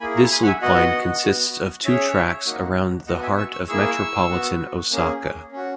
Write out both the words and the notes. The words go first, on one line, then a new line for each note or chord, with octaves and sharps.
This loop line consists of two tracks around the heart of metropolitan Osaka.
A#3 E4 G#4 G#5 B5
A#5 C#6
G#5 B5
F#5
E5 G#5
B3 F#4 D#5 F#5
B3 F#4
C#4 G#4 C#5 E5
A#3 D#4 F#4
B3 F#4 D#5 F#5
E5 G#5
C#6 E6
C#6 E6
A#3 E4 G#4 C#6 E6
B3 F#4
A#3 C#4 G#4
C#4 F#4